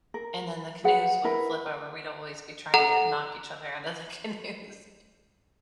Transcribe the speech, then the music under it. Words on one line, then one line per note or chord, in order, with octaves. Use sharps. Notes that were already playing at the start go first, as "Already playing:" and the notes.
and then the canoes would flip over. We'd always be trying to knock each other out of the canoes
A#4
G#4 B4 F#5
E4 A#4 B4
A4 F#5 A#5